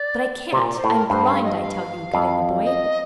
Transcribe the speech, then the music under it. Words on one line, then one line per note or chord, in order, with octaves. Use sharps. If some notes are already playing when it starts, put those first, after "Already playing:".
"But I can't--I'm blind, I tell you!" cut in the boy.
Already playing: D5
C3
A#2
C5
A2
A#4
G2 C5
F5
D#5
D#5
F5
F2
D#5